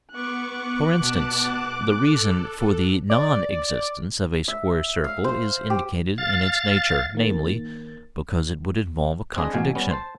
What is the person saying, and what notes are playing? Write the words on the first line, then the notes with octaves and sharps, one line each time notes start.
For instance, the reason for the non--existence of a square circle is indicated in its nature, namely, because it would involve a contradiction.
B3 C#6 D6 F#6
B2 B3 A5
A4
D5
E5
F5
C5
G4
F5 A6
D#3 A#3 A6
C4 D4 G#4 B4 D#5
A1 B2 F5 G#5
G3 B3 C#4
C5 A5